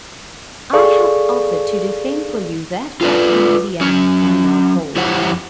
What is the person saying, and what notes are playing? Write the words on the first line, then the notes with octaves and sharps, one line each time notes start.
I have offered to defend for you that part of Louisiana I now hold.
G#4 A4 D5 F5 C#6
F4 A4 B4 D5
F#3 C#4
F2 E4 G4 C5 C#5 F#5